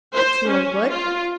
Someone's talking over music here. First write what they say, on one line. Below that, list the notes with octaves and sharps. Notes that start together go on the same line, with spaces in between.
"It's no good."
C5
C#4
F4